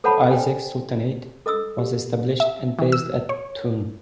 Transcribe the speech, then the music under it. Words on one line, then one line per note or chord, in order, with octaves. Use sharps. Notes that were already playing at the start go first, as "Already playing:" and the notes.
The Isaaq Sultanate was established and based at Toon.
A4 C5 C#5 F#5 A5 B5
C5 D5 G5 G#5
A4 D#5 D#6 E6
G4
E5
E3
E6
C#5